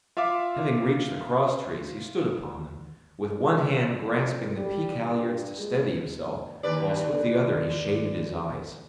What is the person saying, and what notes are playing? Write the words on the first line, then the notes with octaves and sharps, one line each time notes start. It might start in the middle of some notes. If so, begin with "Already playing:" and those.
Having reached the cross- trees, he stood upon them, with one hand grasping the peak-halliards to steady himself, whilst with the other he shaded his eyes.
F4 E5 F5 D6
G#3
F2
G3
G2
G#3
D#2 B4 D5